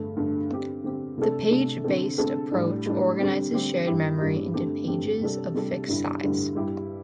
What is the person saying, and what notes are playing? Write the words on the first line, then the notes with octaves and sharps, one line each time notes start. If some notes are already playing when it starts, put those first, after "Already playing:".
The page based approach organizes shared memory into pages of fixed size.
Already playing: G2 D3 A3
G2 D3 A3
D3 C4 G4
D3 C4 G4
C3 A3 D4 A4
C3 A3 D4 A4
D3 C4 A4
D3 C4 A4
A2 G3 D4
A2 G3 D4
D3 G3 C4 G4
D3 G3 C4 G4
G2 G3 E4 G4
G2 G3 E4 G4
G2 D3 A3 C4 G4
G2 D3 A3 C4 G4
C3 G3 D4 A4
C3 G3 D4 A4
G2 D3 G3 E4
G2 D3 G3 E4
G2 G3 E4 G4